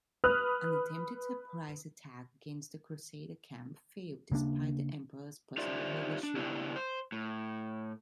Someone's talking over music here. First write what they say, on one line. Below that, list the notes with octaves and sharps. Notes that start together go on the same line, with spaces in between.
An attempted surprise attack against the crusader camp failed despite the Emperor's personal leadership.
B4 D#6 F6 F#6
C#3 A#3 D4
D#4 F4 G4 C5 D5 E5
D4
C#3 B3 D4 E4 G4
C5
A2